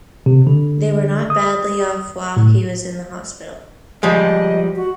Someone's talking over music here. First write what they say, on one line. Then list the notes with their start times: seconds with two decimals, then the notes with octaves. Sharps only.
They were not badly off whilst he was in the hospital.
0.26 C3
0.47 D3
1.30 D#6
2.37 A2
4.03 F3 G3 G#3 D#5
4.76 F#4